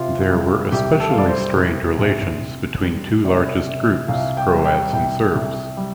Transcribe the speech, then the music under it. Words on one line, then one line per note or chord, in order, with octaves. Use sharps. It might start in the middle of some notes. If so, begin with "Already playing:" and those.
There were especially strained relations between two largest groups, Croats and Serbs.
Already playing: C3 F4
G3
C2 G4
A4
F5
G3 D5
C5
C2
C2
C2
G3
C3 D5
C3
C2 F5
G5
G3
G5
C2 G5
C2
G3